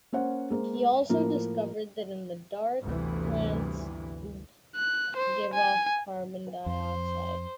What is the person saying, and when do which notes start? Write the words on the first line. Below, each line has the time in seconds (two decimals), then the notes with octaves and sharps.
He also discovered that, in the dark, plants give off carbon dioxide.
0.13 A#3 C#4 C5 F#5
0.50 G#3 A#3 C5
1.09 A2 F3 A#3 A#4
2.82 G1 D2 C3 E3
4.76 F#6
5.17 C5
5.54 G#5
6.66 F2 C5